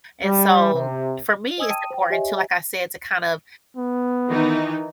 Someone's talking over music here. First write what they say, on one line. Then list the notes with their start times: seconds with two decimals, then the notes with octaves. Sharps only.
And so for me, it's important to, like I said, to kind of
0.24 G3
0.74 C3
1.58 C5 D#5 G#5 D#6 E6 G#6
1.70 G5 A5 D#6 D#7
1.91 C5 G5
2.10 G4 C#5 D#5 E5 G#5
3.77 B3
4.29 D#3 E3 D#4